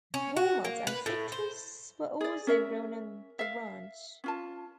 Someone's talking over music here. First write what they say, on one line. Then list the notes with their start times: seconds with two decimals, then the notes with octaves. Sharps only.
Walnuts and citrus were also grown on the ranch.
0.14 C#4
0.36 F#4
0.65 A#3
0.87 B4
1.06 A2
1.32 C5
2.21 G#4 D5
2.47 C#4 A#4 E5
3.39 E5 F5
4.24 C#4 F4 A5